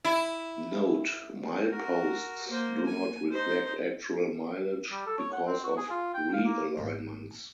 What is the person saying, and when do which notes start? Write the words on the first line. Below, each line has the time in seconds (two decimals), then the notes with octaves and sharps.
Note: mileposts do not reflect actual mileage because of realignments.
0.05 E4
1.69 F#4 A#4
2.48 A#3 C5
2.86 G#5
3.31 D#4 C5
4.92 G3
5.06 A4
5.18 C#5
5.33 F#5
5.47 C4
5.64 F#4
5.77 G#4
5.90 F4
6.14 G5
6.33 F5
6.45 A#3
6.77 G#1 A2